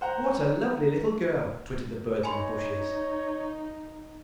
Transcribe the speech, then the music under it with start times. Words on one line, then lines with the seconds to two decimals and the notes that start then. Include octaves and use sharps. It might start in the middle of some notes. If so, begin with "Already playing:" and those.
'What a lovely little girl!' twittered the birds in the bushes.
0.01 C5 F#5 A#5
2.23 D#4 C#5 G#5 B5 C6